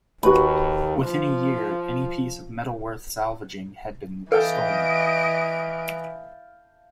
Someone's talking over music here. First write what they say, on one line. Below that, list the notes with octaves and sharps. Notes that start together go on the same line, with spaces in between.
Within a year, any piece of metal worth salvaging had been stolen.
D#2 F#4 B4 B5
F3
E3 A4 D#5 F5 G5 A5 D7